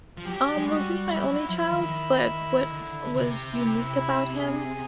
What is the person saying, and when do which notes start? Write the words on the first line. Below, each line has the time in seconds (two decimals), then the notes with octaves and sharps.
Um, well, he's my only child, but what was unique about him
0.17 F3
0.26 F#3 G4
0.56 G#3
0.66 G3 F#4
1.08 G3 E4
1.28 F#3
1.48 F3 E4
1.70 D#3
2.71 D3
3.13 C3
3.54 E4
4.35 G#4